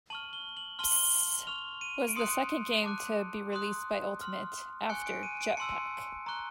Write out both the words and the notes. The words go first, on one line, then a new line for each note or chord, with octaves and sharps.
"Pssst" was the second game to be released by Ultimate, after "Jetpac".
A5 C#6 F6 F#7
G7
F#7
A5 C6 F6 G7
F#7
G7
C#6 F6 F7
D#7
D7
C6 D#6 F#6 C#7
A5 D6 F#6
C6 D#6 F#6
C6 F6
G#5 C#6 F#6 C#7
D7
D#7
D7
A5 C6 E6 C#7
A#5 C#6 F#6